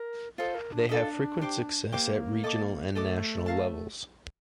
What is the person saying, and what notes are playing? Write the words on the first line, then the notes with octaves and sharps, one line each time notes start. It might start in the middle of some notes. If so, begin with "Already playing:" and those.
They have frequent success at regional and national levels.
Already playing: A#4
F4 A4 C5 D#5
A#4
D4
D4 F4 A4 D#5
G4 C5 G5 D6
A#3 G4 C5 G5 D6
A4 D#5 A5 D6
A3 A4 D#5 A5 D6
A#4 F5 A5